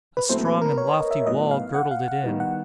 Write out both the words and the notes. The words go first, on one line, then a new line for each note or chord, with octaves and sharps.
A strong and lofty wall girdled it in.
B4
A#2 F#3 A3 C4 E4 C5
B4
A#4
C#5
D#5
E5
A2 F#3 B3 D#4 D#5
F5
F#5
F5
F#5
D#3 G3 B3
F#5